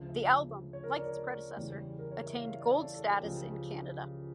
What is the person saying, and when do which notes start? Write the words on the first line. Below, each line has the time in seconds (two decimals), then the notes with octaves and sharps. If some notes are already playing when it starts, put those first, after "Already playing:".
The album, like its predecessor, attained Gold status in Canada.
Already playing: D2 C#3 F3
0.09 E5
0.73 C#5
0.84 A#4
0.94 D5
1.04 C#5
1.57 E2 C#3 E3 G3
1.99 A#4
2.11 C#5
2.26 E5
2.40 F5
2.50 E5
2.61 D5
2.71 C#5
2.81 A4
2.95 A4
3.09 G4
3.23 C#2 C#3 F3